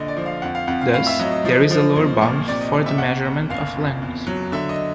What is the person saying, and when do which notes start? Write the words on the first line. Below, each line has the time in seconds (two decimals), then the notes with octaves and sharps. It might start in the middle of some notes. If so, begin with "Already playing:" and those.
Thus there is a lower bound for the measurement of length.
Already playing: A#1 D3 D#5
0.08 D5
0.17 F3
0.26 F5
0.42 F2 F#5
0.55 F5
0.67 F2 F#5
0.81 F5
0.94 A2 F5
1.07 E5
1.19 F#3 D#5
1.32 D#5
1.45 F3
1.71 F3
1.96 B1
2.21 A#2
2.48 C3 D5
2.61 D#5
2.73 C3 D#5
2.86 E5
2.98 B1 F#5
3.25 B1
3.50 F#1 F5
3.76 F2
4.02 E2
4.27 F#3
4.52 D3 E5
4.69 D#5